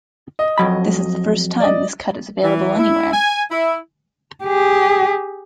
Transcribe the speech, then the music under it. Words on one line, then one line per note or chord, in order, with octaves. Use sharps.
This is the first time this cut is available anywhere.
D#5
F2 F#3 B5
D5 D#5
E3
E4
G#5
E4
G4 G#4